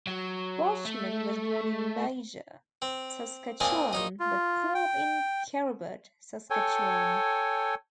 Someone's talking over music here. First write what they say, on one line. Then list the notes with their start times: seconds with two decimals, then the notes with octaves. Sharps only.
Boschman was born in Major, Saskatchewan, but grew up in Kerrobert, Saskatchewan.
0.07 F#3
0.85 A3
2.82 C4
3.60 A#2 C4 D#5 G#5 A5
3.93 A#1 D#4 D#5
4.20 F4
4.75 G5
6.50 A4 C#5 G5 G#5